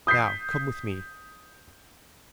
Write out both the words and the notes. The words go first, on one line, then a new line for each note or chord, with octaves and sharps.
Now, come with me.
D#6 G6 B6 C7